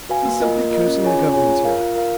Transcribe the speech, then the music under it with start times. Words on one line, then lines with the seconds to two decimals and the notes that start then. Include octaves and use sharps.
'He's simply cursing the Government here.
0.09 F#4 B4 F5 G#5
0.25 A#3
0.40 F4 A#4 D#5
0.55 A#3
0.71 F4 A#4 D#5
0.86 C#4
1.02 F4 G#4 C#5 G#5
1.18 C#4
1.33 F4 G#4 C#5 G#5
1.49 F4
1.64 A#4 F5
1.80 F4
1.95 A#4 F5